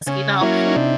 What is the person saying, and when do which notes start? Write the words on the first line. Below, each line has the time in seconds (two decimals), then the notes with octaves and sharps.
you know?
0.07 C#3 C#4
0.41 F#3 A#3 C#4 E4
0.67 D#4
0.75 C3 D4